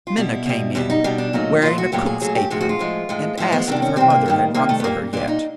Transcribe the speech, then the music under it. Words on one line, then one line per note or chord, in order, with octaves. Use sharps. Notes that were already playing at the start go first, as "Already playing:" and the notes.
Minna came in, wearing a cook's apron, and asked if her mother had rung for her yet.
F4
B2 G3 E4
B2 G3
B2 G3 E4
D#4
B2 G3 D4
D4
A#2 F#3 A3 D#4
A#2 F#3 A3 F4
F#4
A#2 F#3 A3 G4
G#4
A#2 F#3 A3 G#4
G4
A2 F3 G#3 F#4
F#4
F4
A2 F3 G#3
A2 F3 G#3
A2 F3 G#3 E4
B3
C3 D#3 G3 D4
C#4
C3 D#3 G3 C4
A#3
C3 D#3 G3
C3 D#3 G3 A#3
A3
B3
A#2 G3 A#3
A#2 G3 D4
D#4